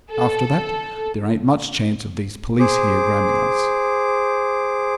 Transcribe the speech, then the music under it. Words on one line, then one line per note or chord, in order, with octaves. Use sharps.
After that there ain't much chance of these police here grabbing us.'
A4
G#4 C5 D6